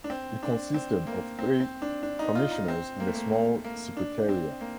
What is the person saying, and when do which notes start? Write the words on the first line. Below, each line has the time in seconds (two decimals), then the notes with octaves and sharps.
It consisted of three Commissioners and a small secretariat.
0.04 D4
0.10 C4
0.43 D4
0.74 C4
1.07 A#3
1.39 C4
1.60 C4
1.82 D4
2.03 D4
2.19 D#4
2.35 F4
2.52 D#4
2.68 C4
3.00 A#3
3.07 A3
3.15 A#3
3.32 A3
3.65 A#3
3.97 D4
4.29 C4
4.61 A#3